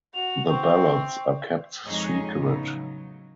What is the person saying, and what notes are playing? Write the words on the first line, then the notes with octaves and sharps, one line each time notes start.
The ballots are kept secret.
F#4 F7
C4 C#6
F2 G#3 D#4 G#4 C#5 D#5
A2 C#3 B3 D#4
F#3